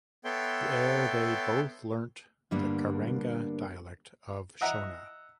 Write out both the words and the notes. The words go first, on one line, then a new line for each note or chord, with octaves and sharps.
There they both learnt the Karanga dialect of Shona.
B3 A4 C#5 E5 G5 C6
G2 D3 G3 A#3 B3 D4
D#5 E5 F#5 A#5